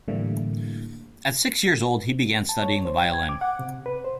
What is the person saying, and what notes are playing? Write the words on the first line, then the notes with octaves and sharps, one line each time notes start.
At six years old, he began studying the violin.
A2 D3 E3 G3 A3 A#3
A5
C#5
C5
G5
G#6
D6
F#5
C3
B4
C5